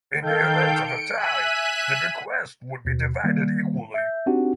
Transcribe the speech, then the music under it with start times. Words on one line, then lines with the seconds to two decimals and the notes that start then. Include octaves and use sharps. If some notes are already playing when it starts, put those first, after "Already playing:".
In the event of a tie, the bequest would be divided equally.
0.22 D#3 A4 F5 G5 G6
0.83 C#7 D7
1.16 E5 G#5 F#6 B6 D#7
2.85 D#2 B2
3.24 D#3 G3 A#3
3.94 E5 G6
4.26 C4 D4 D#4 F#4 G4 F#5